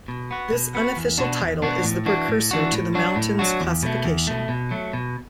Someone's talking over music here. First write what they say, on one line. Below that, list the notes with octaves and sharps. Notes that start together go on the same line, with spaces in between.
This unofficial title is the precursor to the mountains classification.
B2
B3 F#4
B2
B3 F#4
E2
B2 B3 D4 F#4
E2
B2 B3 D4 F#4
A2
E3 D4 F#4
A2
E3 D4 F#4
A2
F#3 D4 F#4
A2
F#3 D4 F#4
E2
B2 A3
E2
B2 A3
B2
F#3 A3
B2